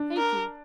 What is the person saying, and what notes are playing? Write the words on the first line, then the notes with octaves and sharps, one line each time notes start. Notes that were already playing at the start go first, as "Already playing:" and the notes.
Thank you.
Already playing: D4
A#4